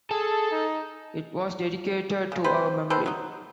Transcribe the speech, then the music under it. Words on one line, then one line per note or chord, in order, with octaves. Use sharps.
It was dedicated to her memory.
G#4 A4 A5
D#4
C#3
C3 C4 B4 C5
G4 A4 B4 C5
F#3 D#4